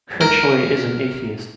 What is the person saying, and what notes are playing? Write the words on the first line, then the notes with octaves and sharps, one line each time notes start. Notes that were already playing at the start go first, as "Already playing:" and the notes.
Critchley is an atheist.
A#4